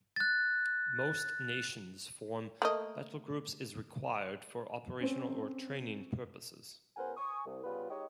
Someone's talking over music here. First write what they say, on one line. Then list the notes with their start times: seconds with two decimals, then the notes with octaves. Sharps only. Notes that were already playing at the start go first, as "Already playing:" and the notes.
Most nations form battlegroups as required for operational or training purposes.
0.16 F#6 A6
2.62 A3 A#3 D#5
5.00 C4 C#4
6.97 C#2 B3 A#4 C5 F#5 G#5
7.17 G#5 C#6 D#6
7.46 C2
7.64 C#3 G3 B3 F4 B4
7.90 G#3 D#4 G4 C#5 D#5 G5